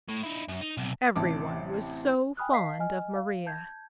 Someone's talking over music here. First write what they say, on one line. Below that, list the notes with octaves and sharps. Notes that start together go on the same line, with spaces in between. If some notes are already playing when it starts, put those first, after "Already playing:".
Everyone was so fond of Maria.
A2
D#4 E4
F#2
D#4
B1 C3
A1 C3 A5 D6
G5 G#5 B5 D#6 F6 F#6
D#5 F5 A5 B6 C7
D#5 G#5 F6
F5
A5 G6 G#6